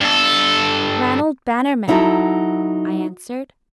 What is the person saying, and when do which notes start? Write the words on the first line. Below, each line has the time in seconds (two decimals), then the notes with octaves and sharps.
"Ranald Bannerman," I answered.
0.01 G2 A4
1.88 F#3 D#4 E4 F#4 A4